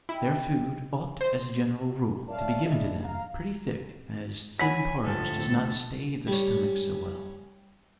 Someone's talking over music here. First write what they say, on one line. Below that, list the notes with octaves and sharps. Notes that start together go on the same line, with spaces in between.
Their food ought, as a general rule, to be given to them pretty thick, as thin porridge does not stay the stomach so well.
E4 G4 D#5 G5
C5 D#5 A5
A#4 C#5 D5 E5 F5 A5
D4 E4 G#4 D#5 E5
F5 A#5
C#5 F#5 G#5 B5 B6
D2 A2 F3 A4
G3 C#4